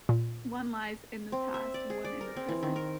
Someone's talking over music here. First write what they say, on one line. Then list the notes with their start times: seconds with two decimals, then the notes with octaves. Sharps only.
One lies in the past, one in the present.
0.09 A#2
1.32 C4
1.54 E5
1.74 D5
1.90 G#4
2.05 D5
2.21 A#4
2.36 C4
2.49 E3
2.63 D#3
2.76 A#4